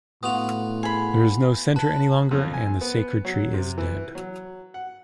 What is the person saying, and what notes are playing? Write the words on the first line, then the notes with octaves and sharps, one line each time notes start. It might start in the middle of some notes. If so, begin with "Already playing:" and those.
There is no center any longer, and the sacred tree is dead.
A2 B3 F4 F#4 D#6 F7
G#4 B5
B4 A5
F2
G#5
B3
F#3
C3
E3
F#3
F#5